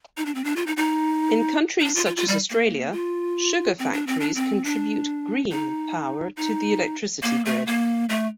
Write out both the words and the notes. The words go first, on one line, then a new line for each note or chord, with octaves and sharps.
In countries such as Australia, sugar factories contribute "green" power to the electricity grid.
D#4
D4
C4
D4
F4
D#4
D#4
D#4
D4
F4
F4
F4
G3
A#3
F4
C4
D4
C4
D4
C4
D4
D#4
D#4
A#3
A3
A#3
A3